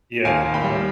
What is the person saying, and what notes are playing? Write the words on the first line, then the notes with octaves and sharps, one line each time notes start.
Yeah, uh-huh.
D#2 F5 G#5
D#2
G5 B5
G3